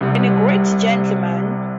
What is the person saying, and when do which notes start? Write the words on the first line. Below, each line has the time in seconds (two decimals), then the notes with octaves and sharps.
And a great gentleman.
0.01 C2 C3 G3